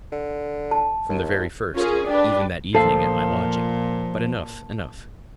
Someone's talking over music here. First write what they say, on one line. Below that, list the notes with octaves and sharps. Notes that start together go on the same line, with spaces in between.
From the very first, even that evening at my lodging ... but enough, enough.
D3
A5
D#2
C#4 F4 G#4 A#4
D4 G4 B4 D5
A#2 F3 A4 F5 A5